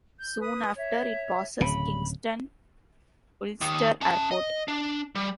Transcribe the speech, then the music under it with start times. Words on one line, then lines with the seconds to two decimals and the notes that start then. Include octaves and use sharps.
Soon after, it passes Kingston-Ulster Airport.
0.18 G6
0.40 B4 D#6
0.76 C#5 E5
1.61 D1 C#3 B5
3.61 D#2 D#3
4.01 C#4 A5
4.31 D#5
4.68 D4
5.15 G3